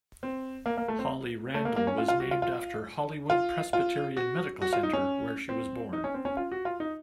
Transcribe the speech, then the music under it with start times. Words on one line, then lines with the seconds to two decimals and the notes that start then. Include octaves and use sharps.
Holly Randall was named after Hollywood Presbyterian Medical Center where she was born.
0.23 C4
0.66 A#3
0.77 A#3
0.88 A3
0.99 C4
1.54 A3
1.65 A#3
1.76 A#3
1.87 C#4
1.98 F4
2.08 F4
2.20 F#4
2.31 F4
2.42 F4
3.30 F4
3.73 F4
4.17 F#4
4.62 F#4
4.73 F4
4.83 D#4
4.93 C#4
5.49 C4
5.93 D#4
6.04 C#4
6.14 C4
6.25 C#4
6.37 F4
6.52 F#4
6.65 F4
6.80 D#4